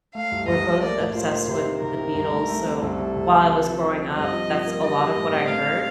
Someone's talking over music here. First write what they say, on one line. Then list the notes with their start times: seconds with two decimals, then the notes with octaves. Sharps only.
were both obsessed with the Beatles, so, while I was growing up, that's a lot of what I heard.
0.15 A3 F5
0.32 C2
0.48 C2 D#5
0.65 A3
0.81 A#3 D5
0.99 A2
1.15 F4 C5
1.32 A#3
1.48 C3 C5
1.66 D#3
1.82 C3 A#4
1.99 D#3
2.15 C2
2.32 A3
2.49 A3
2.66 C4
2.82 C2 A4
2.99 C3
3.16 C3
3.33 C3
3.49 C4
3.66 F3
3.83 C4
3.99 C4
4.16 G2 D#5
4.32 F3
4.50 F3
4.66 A#3
4.83 G3 D#5
4.99 G3
5.16 A2
5.34 C4
5.50 A3 F5
5.67 A3